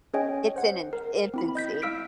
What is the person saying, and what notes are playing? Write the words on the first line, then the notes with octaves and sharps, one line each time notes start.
it's in an infancy.
C#4 G#4 C#5 D#5 G5 G#5
C5 F#5
A#4
C4 E4 B5
D#5 G6 B6
E4 F5 E6 F6 B6 D7